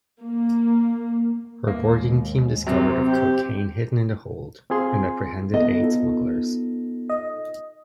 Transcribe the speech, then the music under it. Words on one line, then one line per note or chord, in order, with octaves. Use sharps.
Her boarding team discovered of cocaine hidden in the hold, and apprehended eight smugglers.
A#3
D#2 G#2 A#3
F#2 C3 C4
G4
C4 F4 G#4 C6
B3 A4 D#5
D#4 F4 A4
D#5